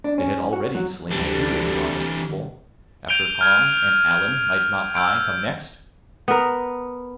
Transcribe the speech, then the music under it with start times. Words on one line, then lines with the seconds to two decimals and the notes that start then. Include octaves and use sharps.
They had already slain two of the honest people; after Tom and Alan, might not I come next?
0.04 D4
0.18 C#4
0.53 F#4
0.75 F#3
1.10 D2 C3 E3 G3 D4
3.08 G6 D7 D#7 F7 G7
3.41 F6 G#6
4.95 E6 G6 D7
6.28 B3 A#4